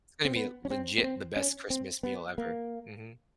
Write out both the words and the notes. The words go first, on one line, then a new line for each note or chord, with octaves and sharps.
It's gonna be legit the best Christmas meal ever. Mhm.
C4
B3
C#4
C4
B3
C4
C#4
C4
B3
A#3